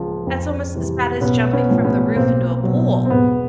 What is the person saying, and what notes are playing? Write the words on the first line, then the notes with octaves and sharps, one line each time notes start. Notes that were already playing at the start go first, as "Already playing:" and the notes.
That's almost as bad as jumping from the roof into a pool.
Already playing: C#2 C#3 F3
F2
C3 E3 G3
B1 B3 C#4
B3 C#4
A2 F3
B3 C#4
B1 A#3 C4
B2 F#3
C4
E1 B3